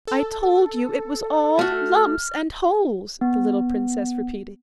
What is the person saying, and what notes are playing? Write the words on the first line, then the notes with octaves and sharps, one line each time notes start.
"I told you it was all lumps and holes!" the little princess repeated.
A4
A3 F#4 F6
B3